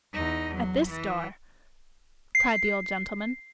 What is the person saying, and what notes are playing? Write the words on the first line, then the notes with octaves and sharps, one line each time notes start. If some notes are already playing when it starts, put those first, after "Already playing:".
'At this door!' cried the old gentleman.
E2 D#4
F#3
E3
C7